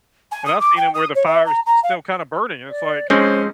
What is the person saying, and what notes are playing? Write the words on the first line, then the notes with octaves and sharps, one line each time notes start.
and I've seen 'em where the fire is s still kinda burning, and it's, like
G#5
D#6
D6
G5
D#6
C#5
E5
A#5
A#5
F5
D5
F3 G#3 C4 C#4 D#4 C5